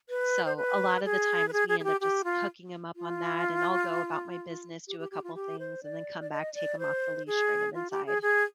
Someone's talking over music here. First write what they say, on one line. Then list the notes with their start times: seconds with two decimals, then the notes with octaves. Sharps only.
so, a lot of the times, we end up just hooking him up on that, and I'll go about my business, do a couple things, and then come back, take him off the leash, bring him inside.
0.09 B4
0.45 C5
0.56 B4
1.05 G#4
1.48 B4
1.53 G#4
1.68 G#4
1.80 G#4
1.84 G4
2.00 G4
2.24 F4
2.96 F4
4.88 G4
4.99 G4
5.11 G4
5.24 F4
5.35 G4
5.59 C5
5.83 D5
6.20 D5
6.31 D#5
6.54 D5
6.79 C5
7.27 G#4
7.74 F4
7.90 G4
8.06 G#4
8.22 G#4